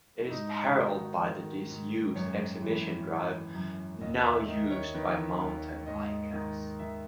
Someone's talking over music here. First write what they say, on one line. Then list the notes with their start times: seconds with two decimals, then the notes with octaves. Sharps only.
It is paralleled by the disused Exhibition Drive, now used by mountain bikers.
0.24 E4
0.30 G#2 D#4
0.76 D#3 F#4
1.23 D#3
1.70 G#2
2.15 F#2 C#5
2.62 E3
3.08 E3
3.55 F#2
4.01 D#2 D#5
4.24 E5
4.47 D#3 D#5
4.70 C#5
4.94 D#3 B4
5.41 D#2
5.86 G#2 D#5
6.33 D#3
6.79 D#3 E5